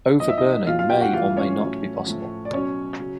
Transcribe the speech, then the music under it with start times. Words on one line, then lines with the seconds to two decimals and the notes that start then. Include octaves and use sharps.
Overburning may or may not be possible.
0.20 A#2 F3 D#5
0.28 E5
0.37 D#4 D#5
0.67 A#2 F#3 F4 F5
0.79 F4 F5
0.90 G4 G5
1.01 F#4 F#5
1.13 A2 E3 F4 F5
1.37 C#4 C#5
1.59 A2
1.65 F#3
2.06 A2 F3
2.45 D5
2.53 B2 F#3 C#4 C#5
3.00 C#3 F#3